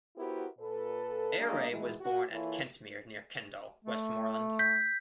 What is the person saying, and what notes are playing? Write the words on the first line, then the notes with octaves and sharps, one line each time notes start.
Airay was born at Kentmere, near Kendal, Westmorland.
B3 E4 F#4 G4 A#4 C5
A#2 A4 B4
F#3 G#3 A#3 D4 D#5
B2 D#3 E3 G#3
F#4
E3 A#3 E4 F4 A4 C#5
A3
G6 B6